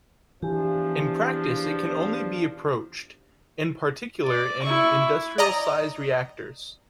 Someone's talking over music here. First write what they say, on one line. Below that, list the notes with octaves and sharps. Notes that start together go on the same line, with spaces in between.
In practice it can only be approached, in particular in industrial size reactors.
E2 E3 F3 D4 G4
D5
E4 C#6
D5 D#5 A#5